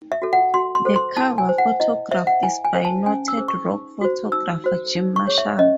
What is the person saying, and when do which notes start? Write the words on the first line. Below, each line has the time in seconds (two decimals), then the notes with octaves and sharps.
The cover photograph is by noted rock photographer Jim Marshall.
0.12 E5
0.22 F#4 A4
0.33 F#5
0.54 F#4 C6
0.75 C6
0.85 A4 C5
0.96 C6
1.17 E4 A5
1.38 G#5
1.49 C5
1.58 F#5
1.80 E4 D#5
2.11 C5 E5
2.27 F#5
2.43 E4 G#5
2.65 G#5
2.75 C5
2.85 A5
3.06 C#4 G#5
3.28 E6
3.37 G#4 C5
3.48 C#6
3.70 D#4
4.01 F#4 C5
4.32 D#4 E6
4.64 F#4 C5
4.96 D#4
5.16 C#6
5.27 G#4 C#5
5.38 E5
5.58 C#4 D#5